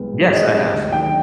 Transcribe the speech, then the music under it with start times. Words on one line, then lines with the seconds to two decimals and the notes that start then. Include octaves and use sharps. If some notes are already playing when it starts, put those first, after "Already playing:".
Yes, I have.
Already playing: C2 G#3 B3
0.13 B2
0.32 G#3 D#5
0.53 C3
0.62 D#5
0.73 D2
0.92 D#3 G5